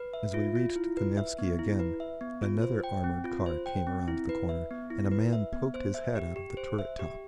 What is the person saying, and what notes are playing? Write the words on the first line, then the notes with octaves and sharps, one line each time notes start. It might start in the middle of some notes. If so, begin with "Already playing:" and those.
As we reached the Nevsky again another armoured car came around the corner, and a man poked his head out of the turret-top.
Already playing: B4
E5
F4
F4
E4
B4
E5
B3
E4
B4
E5
B3
F4
C5
G5
C4
F4
C5
G5
C4
E4
B4
E5
B3
E4
B4
E5
B3
C5
E5
G4
G4
C5
E5
G4